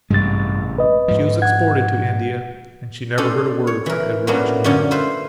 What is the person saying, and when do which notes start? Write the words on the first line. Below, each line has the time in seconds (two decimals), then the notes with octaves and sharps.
She was exported to India and she never heard a word from Edward Ashburnham.
0.10 A1 G2 C3 G#3 A6
0.78 B4 D#5
1.08 G#2 F3
1.42 F#5 G#6
3.18 C#4 D4 A4 C5 D5
3.67 C#5
3.86 E3 A#4
4.27 A2 F#3 A#3 B3 C#4 D4
4.64 F#2 A#2 D3 C#4 D4 C#5
4.91 E4 F4 B4 C5